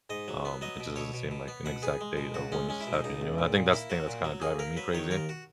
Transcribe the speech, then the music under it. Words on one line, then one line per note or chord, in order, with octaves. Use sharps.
um, it just doesn't seem like an exact date of when this is happening, you know? And I think that's the thing that's kinda driving me crazy,
G#2 D#5
F#3
B3
F#3 D#5
B2
B2 C#5
B2
B2
B3
B2 F#5
B3 G#4
G#3
B2
C#2 F#4
G#3 C#4
G#3 C#4
E4
B2
D#4
C#2 D#4
C#2
A#2
A#2
A#3 E4
F#3 F#4
A#2
F#3
A#3 G#4
A#3 A#4
F#3 B4
D#3 C#5
D#2 A#4
F#4